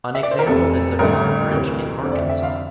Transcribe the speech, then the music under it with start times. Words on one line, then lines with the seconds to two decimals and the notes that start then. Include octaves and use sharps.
An example is the Cotter Bridge in Arkansas.
0.15 E5
0.23 D5
0.31 C5
0.39 A#4
0.47 F1 F2 C3 A4
0.99 A1 G2 D3 A3 A#4
1.52 D2 C3 E3
2.03 F1 F2 D3 F3 C5
2.12 D5
2.17 E5
2.29 E5
2.43 F5